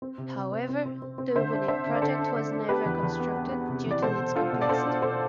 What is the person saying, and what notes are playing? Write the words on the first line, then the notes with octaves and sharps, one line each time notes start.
However, the winning project was never constructed due to its complexity.
C4
C3
C3
C4
C4
C4
C4
C4
D3 C5 E5
D4
D4 C5 E5
D3
D5
D3 A4 C5
D4
D3
D4
B3 G4 B4
E2
E2
B3
B3
B3
C3
E3 D5
B2 A4 C5
B2
D4 F4 A4
B2
D5
D4 A4 C5
D4
B2 A4 C5